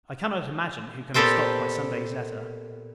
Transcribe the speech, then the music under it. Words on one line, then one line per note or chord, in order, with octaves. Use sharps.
I cannot imagine, who can have stopped my Sunday's letter!
A#2 B3 G4 A4 C5 G5